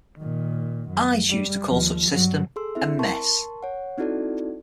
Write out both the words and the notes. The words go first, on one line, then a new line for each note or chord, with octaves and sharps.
I choose to call such a system a mess.
A#2 D#3
F#2
G3
D#2 F3
G2 F#3
G#4 A4 C6 E6
C4 E4 E5
A#4 A5 C6 C#6
C#5 F#5
C4 D#4 E4 F#4 A4 D5